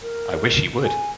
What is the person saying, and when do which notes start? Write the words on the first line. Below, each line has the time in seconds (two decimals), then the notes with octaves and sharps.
I wish he would!
0.01 A#4
0.84 G#5